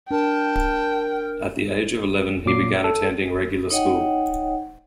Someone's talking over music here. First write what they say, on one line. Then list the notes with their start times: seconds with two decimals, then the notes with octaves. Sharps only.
At the age of eleven, he began attending regular school.
0.11 D4 A#4 G5 A5
2.46 A#2 F#3 D6 C7
2.84 A4
3.70 D#4 C#5 D#5 F#5 G5